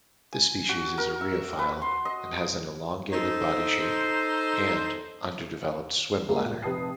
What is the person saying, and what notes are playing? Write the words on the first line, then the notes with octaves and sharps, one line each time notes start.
This species is a rheophile and has an elongated body shape and underdeveloped swimbladder.
G#5
F#4
A#4
E5
B4
C6
D#5
D#4 A4 C5
G3 G#3 A#3 G#4
A#2
F1 G4 B4 A5 D#6 C7